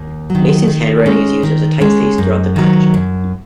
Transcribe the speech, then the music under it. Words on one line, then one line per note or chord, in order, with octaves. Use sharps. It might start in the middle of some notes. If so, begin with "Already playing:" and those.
Mason's handwriting is used as a typeface throughout the packaging.
Already playing: D#2
D#3 F#3
D#3
G#3 C#4
D#3
G#3 C#4
F#2
D#3 F#3
F#2